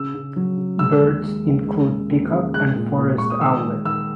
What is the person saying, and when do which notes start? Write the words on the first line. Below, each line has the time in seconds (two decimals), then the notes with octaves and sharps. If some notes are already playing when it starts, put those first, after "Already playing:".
Birds include peacock and forest owlet.
Already playing: C#3 E6
0.14 C#3
0.36 F#3
0.57 C#3
0.79 G#3 E6
1.01 D#2
1.24 G#3
1.46 D#2
1.67 G#3
1.89 C#3
2.10 D#2
2.32 C#3
2.54 G#3 F#6
2.76 A#2
2.98 A#2
3.18 G#3 C#6
3.30 D#6
3.41 D#3 E6
3.63 G#3
3.85 D#3 E6